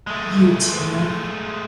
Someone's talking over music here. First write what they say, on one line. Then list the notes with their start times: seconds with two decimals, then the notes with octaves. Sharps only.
You too.
0.07 G#3 A3